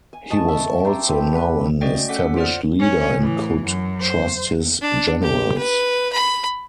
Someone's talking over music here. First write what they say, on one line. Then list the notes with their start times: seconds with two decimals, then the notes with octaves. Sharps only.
He was also now an established leader and could trust his generals.
0.13 G#5
0.30 D#5 A5 C#6
0.48 E5
0.85 G5 A#5 C6 D6
1.09 C4 A4 B4
1.35 B4
1.81 A3 C#4 F#4 D5 D#5 G5
2.09 C#4 A4 F#5 D6 B6
2.36 F4 C5 D5 F#5 F6
2.79 C#4
3.17 A2 E3
3.64 F#2
4.00 C5
4.81 D4
5.22 G4
5.58 B4
6.13 B5